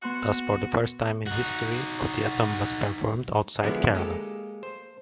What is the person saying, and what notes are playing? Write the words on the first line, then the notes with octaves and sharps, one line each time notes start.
Thus for the first time in history Kutiyattam was performed outside Kerala.
B3 F#4 C6 F#6
D#4 F#4
D3 F3 F#3 G#3 B3 E4
G#3 A#3 G4 A4
C5